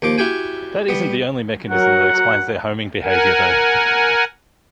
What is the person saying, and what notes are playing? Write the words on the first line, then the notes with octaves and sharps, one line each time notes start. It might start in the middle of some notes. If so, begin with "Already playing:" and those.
That isn't the only mechanism that explains their homing behavior though.
D#2 F3 D6
E4 F#4 G4 G5 G#5
G3 B3
F#3 F#4 A#4 F#5
A#4 F#5 G#5